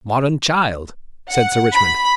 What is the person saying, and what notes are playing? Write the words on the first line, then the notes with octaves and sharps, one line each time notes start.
"Modern child," said Sir Richmond.
F#5
B5